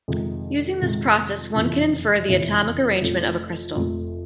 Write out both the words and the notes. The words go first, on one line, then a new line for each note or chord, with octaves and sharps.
Using this process, one can infer the atomic arrangement of a crystal.
F2 C3 D#3 G#3
F2 C3 D#3 G#3
F#1 F2 C3 E3
F#1 F2 C3 E3
F1 F2 C3 F3 A3
F1 F2 C3 F3 A3